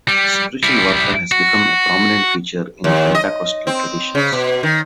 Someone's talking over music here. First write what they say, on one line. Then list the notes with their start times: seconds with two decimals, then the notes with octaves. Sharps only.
Spiritual warfare has become a prominent feature in Pentecostal traditions.
0.08 G3
0.63 G3 E4
1.32 F#4
2.84 D#2
3.15 D#5
3.67 C4
4.15 C#3
4.32 B2
4.63 D#3